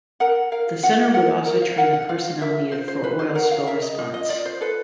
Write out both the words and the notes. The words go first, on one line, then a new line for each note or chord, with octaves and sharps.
The centre would also train the personnel needed for oil spill response.
A#4 F#5
A#4 F5
F4 F#5
A#4 F#5
A#4
F5
A#4 F#5
F#5
F4 F5
A#4 E5
F4 C5
C5
F4 B4
C5
A#4 F#5
F5
A#4 E5
D#5
F4 D#5
D#5
F4 D5
C5
A4 B4